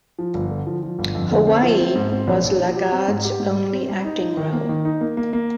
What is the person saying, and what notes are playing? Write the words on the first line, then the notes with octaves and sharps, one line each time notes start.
"Hawaii" was LaGarde's only acting role.
F3
G1
D3
F3
F3
G1
F2
D3
C4
F3
C4
G#2
C4
A#1
A#1
F3
G4
C4
G#2
G4
G#2
G3
C4
G3
D#4
D#4
D#3
A#3
D#3
D#4
A#3
A#3
A#3